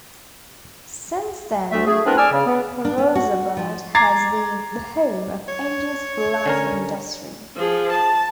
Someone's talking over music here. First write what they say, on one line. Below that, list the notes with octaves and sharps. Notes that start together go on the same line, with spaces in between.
Since then Firozabad has been the home of India's glass industry.
D2 A3 E5
A3 G#4
B3 C4 D4 E4 A#4 B4
G#4 D5 G#5 D6 E6 F6
C#3
B3
D4
B3
F#4
F3
A#5 D6 G#6 A6 C7
C#5
D3 C#4 A#4
F3 G#4
A5